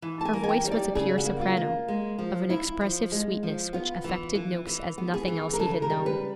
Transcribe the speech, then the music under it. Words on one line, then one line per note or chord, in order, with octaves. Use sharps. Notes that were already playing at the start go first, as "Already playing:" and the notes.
Her voice was a pure soprano, of an expressive sweetness which affected Noakes as nothing else he had known.
E3
A5
G#5
A#3
G#5
G5
G3 C#5
D5
C#3 G#4
F#4
A#3
F4
A#3
G#3
F3
E4
F3
G#3
F3
B3 F4
E3
E3
E3
B3
G#4
E3
A#4
C#3 A4
A#4
G3
B4